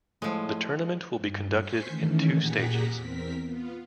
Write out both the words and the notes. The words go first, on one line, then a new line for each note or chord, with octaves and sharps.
The tournament will be conducted in two stages.
A2 F3 G#3
G2
C5 G#5 C#6 G6 B6 C7
D#3 E3 A3 C#4
A#2 G4 G#4 F#5 A#5 B6
E2 C4 A#4 B6
B3 F4